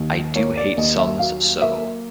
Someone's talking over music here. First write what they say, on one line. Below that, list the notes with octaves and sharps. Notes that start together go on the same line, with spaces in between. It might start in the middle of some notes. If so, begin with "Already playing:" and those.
I do hate sums so!
Already playing: D#2 D#3
A#3 C#5
D5
D#2 D#5
E5
F#3 F5
A#3 E5